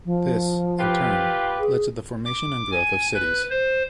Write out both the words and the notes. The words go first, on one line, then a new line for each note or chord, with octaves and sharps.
This, in turn, led to the formation and growth of cities.
F3
F4 G4 B4
G#4
D6
G#5
B4
C5